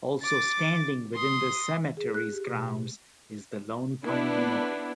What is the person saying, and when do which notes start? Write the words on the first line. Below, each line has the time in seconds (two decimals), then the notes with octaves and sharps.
Also standing within the cemetery's grounds is the Lone Pine memorial.
0.22 D6 A6
1.15 C6 D#6
1.97 G#4
2.14 F#6
2.33 G4
2.47 B2
4.03 B3 D4 E4